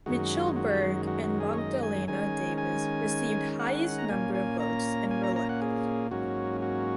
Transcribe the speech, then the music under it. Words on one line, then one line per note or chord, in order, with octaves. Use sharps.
Michal Berg and Magdalena Davis received highest number of votes and were elected.
F#2 D#3 G#3 F#4
F#4
F#4
F#4
G#4
C#5
D#5
G#5
D#3 G#3 C#4 G#5
G#5
F#5
A#5
A#2 A#3 C#4 G#5
G#5
A#5
G#5
A#5
A#5
F#5
G#4
G#2 F#3 A#3 C#4 F#4
F#4